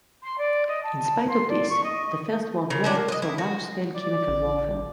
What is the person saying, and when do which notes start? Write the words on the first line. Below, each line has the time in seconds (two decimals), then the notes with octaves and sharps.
In spite of this, the First World War saw large-scale chemical warfare.
0.22 C6
0.38 D5
0.68 D#5
0.83 A5
1.28 C6
1.48 D5
1.69 C#6
1.83 D#5
2.06 D#5
2.70 C#3 A#4
2.84 F#3 C#4 D4
2.95 A#3
3.08 B4 D#5
3.22 E4
3.38 F#4
3.95 D5
4.28 A1